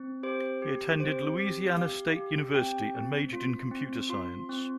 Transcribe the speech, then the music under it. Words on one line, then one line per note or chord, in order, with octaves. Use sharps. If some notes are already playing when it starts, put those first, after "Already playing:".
He attended Louisiana State University and majored in Computer Science.
Already playing: C4
G4 C5
G4
C4 C5
G4
G4 F5
G4
C4 G5
C4
F4
C4
F4 C6
C4